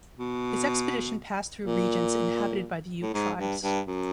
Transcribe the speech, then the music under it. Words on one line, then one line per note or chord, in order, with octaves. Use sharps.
His expedition passed through regions inhabited by the Ute tribes.
B2
A#2
A2
G#2
G2
G2
F#2